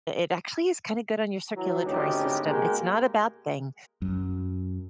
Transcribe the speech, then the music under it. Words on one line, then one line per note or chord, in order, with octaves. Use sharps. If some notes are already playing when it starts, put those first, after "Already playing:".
it actually is kinda good on your circulatory system. It's not a bad thing,
E3 F#3
G#1 D2 C#4 D#4 G4
B2 G#3 A#3 G4 A#4
F#2